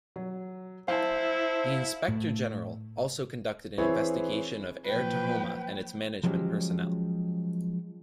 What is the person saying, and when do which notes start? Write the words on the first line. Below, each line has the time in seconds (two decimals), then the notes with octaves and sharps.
The Inspector General also conducted an investigation of Air Tahoma and its management personnel.
0.16 F#3
0.88 E4 C5 F5 A5
2.08 A2
3.78 E3 C4 E4 G#4 B4 C#5
4.85 A#2 F3 F#3 B4 G5
6.24 F3 F#3 G#3 C#4 G4